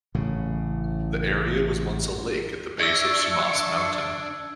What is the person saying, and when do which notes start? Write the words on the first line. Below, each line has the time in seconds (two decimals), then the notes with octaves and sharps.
The area was once a lake at the base of Sumas Mountain.
0.15 A1 A2 C#3
2.79 D4 E5 C#6 E6 G#6